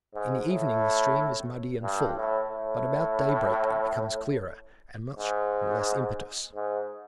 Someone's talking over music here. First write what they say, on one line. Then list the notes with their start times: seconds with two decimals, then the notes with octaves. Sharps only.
In the evening the stream is muddy and full, but about daybreak it becomes clearer, and much less impetuous.
0.14 G#2
0.48 A2
1.82 G2
2.16 A2
2.49 A2
5.19 G#2
6.54 G#2